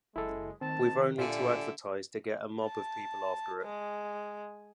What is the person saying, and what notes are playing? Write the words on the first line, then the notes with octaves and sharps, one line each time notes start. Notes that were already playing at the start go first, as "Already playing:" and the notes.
We've only to advertise, to get a mob of people after it.
F#1 G#3 E4 A4
D#3 C4 A5
A#2 D3 G3 F4 E5 G#5
A5
G#3